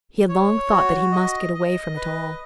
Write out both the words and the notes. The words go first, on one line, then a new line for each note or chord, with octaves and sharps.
He had long thought that he must get away from it all.
C#5
F#4
D#5
D#5
B4